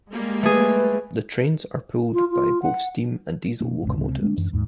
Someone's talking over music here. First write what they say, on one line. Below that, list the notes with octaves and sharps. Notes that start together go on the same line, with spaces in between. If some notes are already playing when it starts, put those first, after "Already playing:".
The trains are pulled by both steam and diesel locomotives.
G3 G#3 A#3
A3 G#4 B4
F4
F4
F#5
B2 A#3
E1 B1 G#2 C#3
C#2 C3
G#3 A#3 C#4 D4
F#2 E3
D#2 G#2